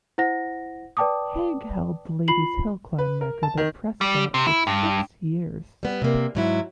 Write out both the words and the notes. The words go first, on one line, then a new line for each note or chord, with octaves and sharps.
Haig held the Ladies’ hillclimb record at Prescott for six years.
E4 C5 F#5 A#6
B4 D5 G5 A5 D6 D#6
F4 B5 C7 F#7
B4
A#4
A5
D#3
G3
C3
E4
G2
G3 B3
C3 A#3
G#2 F#3 E4